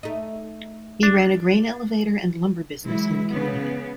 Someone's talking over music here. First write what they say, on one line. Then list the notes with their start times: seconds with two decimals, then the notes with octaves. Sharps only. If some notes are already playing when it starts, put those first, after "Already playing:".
He ran a grain elevator and lumber business in the community.
0.03 A3 D#4
1.03 D4
2.85 E3 F#3 G#3 E4
3.31 C#3 B3